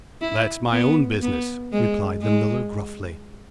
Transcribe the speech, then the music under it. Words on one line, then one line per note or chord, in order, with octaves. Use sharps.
"That's my own business," replied the miller gruffly.
E4
B3
B3
G#3
G#3